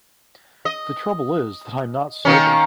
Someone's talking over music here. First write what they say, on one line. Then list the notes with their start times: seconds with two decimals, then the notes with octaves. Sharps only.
The trouble is that I’m not sober.
0.65 D#5
2.25 D#3 A#3 C#4